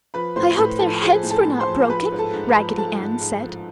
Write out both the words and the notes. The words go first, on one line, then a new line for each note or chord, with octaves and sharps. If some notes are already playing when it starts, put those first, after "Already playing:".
"I hope their heads were not broken!" Raggedy Ann said.
F3 B4 B5
A2 C5 C6
A2 B4 B5
F3 A4 A5
F3 G#4 G#5
A2
A4 A5
A2
C5 C6
F3
F3 B4 B5
G#2
A4 A5
G#2
B4 B5
F3
F3 A4 A5
G#2
G#2
F3